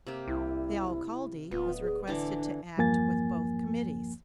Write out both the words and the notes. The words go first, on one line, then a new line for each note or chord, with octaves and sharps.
The Alcalde was requested to act with both committees.
C3 A#3 G4
C2 E4
D1 B3 F4
G#4
D3 E3 D4 D6
E2 G2 F3 A#3 G#5 A6